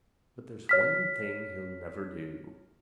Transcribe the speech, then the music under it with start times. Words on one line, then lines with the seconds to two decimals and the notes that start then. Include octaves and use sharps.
But there's one thing he'll never do.
0.69 C#5 F6 B6